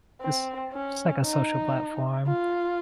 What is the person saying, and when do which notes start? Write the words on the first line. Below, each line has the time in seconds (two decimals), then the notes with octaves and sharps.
just just, like a social platform,
0.21 C4
0.73 C#4
1.24 D#4
2.27 F4